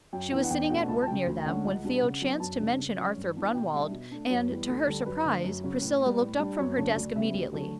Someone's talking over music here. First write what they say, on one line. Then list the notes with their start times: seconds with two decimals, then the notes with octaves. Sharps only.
She was sitting at work near them, when Theo chanced to mention Arthur Brunwalde, and, to her surprise, Priscilla looked up from her desk immediately.
0.13 F#2 G5
0.32 E3 B3 D4 G5
0.44 F#5
0.50 E2 G5
0.64 G5
0.69 B2 A3 D4 F#5
0.88 C#2 A5
1.02 A5
1.07 C#3 F#3 G5
1.27 D2
1.40 G5
1.45 D3 A3 C#4 F#5
1.65 C#2
1.84 B2 G3 D4
2.03 C#3
2.22 F#3 B3 D4
2.40 F#2 A5
2.59 C#3 G3 D4
2.78 C#3
2.98 F#3 C#4
3.17 G2
3.35 E3 B3 D4
3.55 B2 G5
3.74 G3 D4 E5
3.92 B2
4.11 A3 D4
4.30 F#2 C#5
4.49 E3 G3 B3 B4
4.68 D2 A4
4.87 D3 G3 D4 A4
5.06 F#2 B4
5.25 D3 A3
5.44 F#2
5.63 C#3 F#3 C#4
5.82 A2
6.01 G3 B3
6.20 A2
6.39 G3 D4
6.58 F#2 C#5
6.77 C#3 F#3 A3 D4 C#5
6.96 D2 D5
7.15 C#3 G3 B3 E5
7.34 D2 G4
7.53 D3 F#3 A3 A4